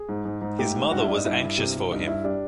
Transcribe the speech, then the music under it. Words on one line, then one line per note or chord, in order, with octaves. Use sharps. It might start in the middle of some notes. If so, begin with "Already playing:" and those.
His mother was anxious for him.
Already playing: G#4
G#2
G#2
G#2
A3 G4
G#2
G2 F#4
E4
G2 D4
D#4
G2 E4
G2
C3
C3
G2 D#4
G2 E4
G3 D4